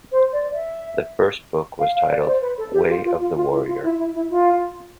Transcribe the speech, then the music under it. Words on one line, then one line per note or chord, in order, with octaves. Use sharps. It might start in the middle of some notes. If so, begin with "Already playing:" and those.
The first book was titled "Way of the Warrior".
C5
D5
E5
F5
F5
D5
C5
B4
A4
G4
F4
F4
F4
F4
E4
F4
E4
E4
E4
F4